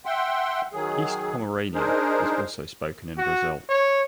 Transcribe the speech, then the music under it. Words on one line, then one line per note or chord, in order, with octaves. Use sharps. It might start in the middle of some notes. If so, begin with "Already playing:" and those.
East Pomeranian is also spoken in Brazil.
E5 F#5 G5 C6
D#3 F#3 G#4
D4 D#4 G#4 A#4 C5
F#4
C#5